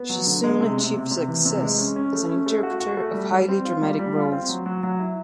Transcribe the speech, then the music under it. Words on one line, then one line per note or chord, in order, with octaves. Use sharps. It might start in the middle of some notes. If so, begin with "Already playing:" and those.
She soon achieved success as an interpreter of highly dramatic roles.
Already playing: B3
F#3
D3
G#3
C3
C3
C3
C3
E3
C3
G#3
C#4
C#4
A3
C#4
A3
F#4
F#4
A3
G3
G3
C4
F4
G3
G3
F4
C4
F#3
F#3
F#3
E4